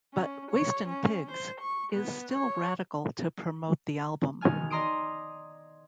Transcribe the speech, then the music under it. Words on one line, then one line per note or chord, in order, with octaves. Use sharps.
But Wastin Pigs Is Still Radical to promote the album.
C#4
C#5
C#4
C5
C#6
B3
C#5
E1 D#3 B3 G#5 F6
D5 D#5 A#5 C6 D#6 D7